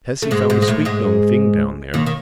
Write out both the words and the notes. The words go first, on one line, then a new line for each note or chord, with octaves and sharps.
Says he found a sweet young thing down there.
A3
G#2 G#3
G#2 G#3
G#3
A2 A3
G#2 G#3
D#2 D#3
D#3